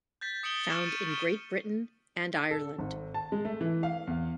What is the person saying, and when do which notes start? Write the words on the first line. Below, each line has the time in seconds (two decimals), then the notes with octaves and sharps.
Found in Great Britain and Ireland.
0.21 G6 A6 B6
0.43 D#6 C#7 D7 F#7 G7
0.70 C#6 F6 A6 D7 E7
0.87 D#7
1.08 F6 A6 C#7 G7
2.51 A4
2.79 G#1
3.14 A5
3.32 G#3
3.45 A3
3.61 E3
3.83 F5
4.07 E2